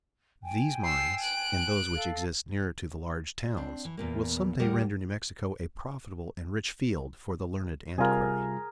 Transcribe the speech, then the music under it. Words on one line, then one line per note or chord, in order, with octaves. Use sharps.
These mines, and those which exist nearer to the large towns, will some day render New Mexico a profitable and rich field for the learned antiquary.
G5 G#5
E6 C7
F#6 D7
A4 F5
C4 D4
E3
E2 A#2 A#3
D#2 G3 G#4 A#4 F#5
C3 G3 F4 G#4 A#4